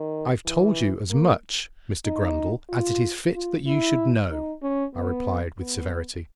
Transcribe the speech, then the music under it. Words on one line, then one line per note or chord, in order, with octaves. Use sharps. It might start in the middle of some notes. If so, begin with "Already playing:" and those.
"I've told you as much, Mr Grundle, as it is fit that you should know," I replied, with severity.
Already playing: D#3
E3
A#3
D#4
F4
F4
E4
D#4
C#4
B3
B3